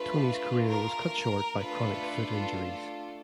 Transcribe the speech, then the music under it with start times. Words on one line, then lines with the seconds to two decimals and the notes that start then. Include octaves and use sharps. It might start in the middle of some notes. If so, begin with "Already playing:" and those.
Tony's career was cut short by chronic foot injuries.
Already playing: A3 D4 F4 B4
0.67 A#4
1.59 A3 D4 F4 A4 B4